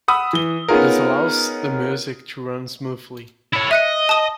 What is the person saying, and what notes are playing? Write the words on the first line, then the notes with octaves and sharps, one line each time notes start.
This allows the music to run smoothly.
F#5 B5 D#6 E6
E3 G7
B3 C#4 D#4 F4 G#4 A#4
E4 C#5
D#5 E5 F#6 C#7
A5 D#6